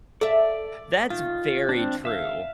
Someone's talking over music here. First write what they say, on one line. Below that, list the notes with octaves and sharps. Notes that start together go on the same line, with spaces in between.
That's very true.
A4 D5 E5
D#3 F4
C4 D4
E5 F5